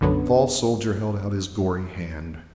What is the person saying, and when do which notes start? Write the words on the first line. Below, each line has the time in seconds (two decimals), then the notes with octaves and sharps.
The tall soldier held out his gory hand.
0.01 B1 F#2 D3 F#3 B3